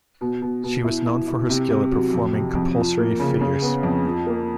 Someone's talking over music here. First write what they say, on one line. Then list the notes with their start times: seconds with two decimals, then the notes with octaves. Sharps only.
She was known for her skill at performing compulsory figures.
0.21 B2
0.42 B2
0.64 B2
0.84 E4
1.06 E4
1.28 E4
1.49 C3
1.70 C3
1.92 F#3
2.13 F2
2.34 C3
2.55 F2
2.77 F3
2.98 A#3
3.20 C#3
3.41 C#3
3.62 B3
3.83 F2
4.05 F3
4.27 A#3